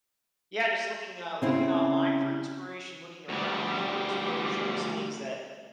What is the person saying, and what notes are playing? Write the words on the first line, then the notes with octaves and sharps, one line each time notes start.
Yeah, just looking, uh, looking online for inspiration, looking around for inspiration, just things that
C#3 C4 E4
D2 G3